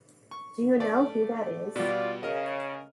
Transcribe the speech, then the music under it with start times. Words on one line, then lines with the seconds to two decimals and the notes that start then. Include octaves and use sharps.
Do you know who that is?
0.31 C#6
0.80 A3 D5
1.76 B2 G3 F4 D5
2.23 C#3 A#4 D#5